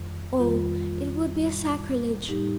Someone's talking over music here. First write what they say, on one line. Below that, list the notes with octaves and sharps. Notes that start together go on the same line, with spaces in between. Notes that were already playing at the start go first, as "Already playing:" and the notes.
Oh, it would be a sacrilege.
Already playing: F2 D#3 G3
F2 D#3 G3 F4
A2 G3
A2 G3 D#4 G4